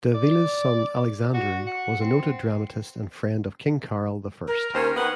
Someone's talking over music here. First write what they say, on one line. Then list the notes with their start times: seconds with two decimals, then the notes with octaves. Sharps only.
Davila's son Alexandru was a noted dramatist and friend of King Carol the First.
0.15 D5
1.34 F#4
1.67 F#5
2.01 C4
4.47 A#4
4.74 D#2 C#4 C5
4.95 D#3 B3 F#5